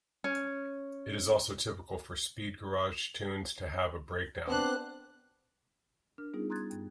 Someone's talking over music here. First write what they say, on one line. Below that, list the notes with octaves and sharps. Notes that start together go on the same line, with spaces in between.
It is also typical for speed garage tunes to have a breakdown.
C#4
B3 C4 D4 C5 F#6
D4 A#4 F6
G3 B3 C#4 D#4 F4 G#4
A#5 C6 D#6 F#6 G#6 A6
G2 G5